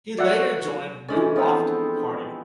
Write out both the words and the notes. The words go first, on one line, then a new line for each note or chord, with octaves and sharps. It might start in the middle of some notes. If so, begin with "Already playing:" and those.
He later joined New Wafd Party.
F#3 F#4 D5 E5 F#5
E3 G#3 C#4 D4 A4
F3 B3 C4